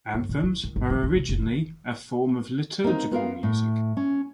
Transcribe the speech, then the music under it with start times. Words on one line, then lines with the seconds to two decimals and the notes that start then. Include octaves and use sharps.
Anthems were originally a form of liturgical music.
0.14 G2
0.29 A#2
0.43 E4
0.64 D#3
0.76 G#1
0.90 F3
1.03 B2
1.16 C3
1.29 F1
1.42 D3
2.84 A#3 C4 D#4
3.11 B3 F4 A#4 F5
3.43 A2
3.97 C#4